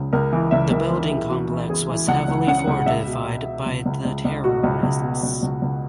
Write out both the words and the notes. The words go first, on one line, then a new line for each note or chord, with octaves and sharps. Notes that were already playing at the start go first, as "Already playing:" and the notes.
The Building Complex was heavily fortified by the terrorists.
Already playing: C#2 C#3
C#2 A#4
E3
C#2 E5
C#2 A#4
E3 A#4
E3 G#4
E3 F#4
E3
E3 G#4
E3
C#2 F#5
C#2
C#3 F#5
C#2
C#2 E5
B2
B2
B2
C#2
C#2
C#2
C#2
B2 F#4
C#2
C#2
B2
C#2
C#2
C#2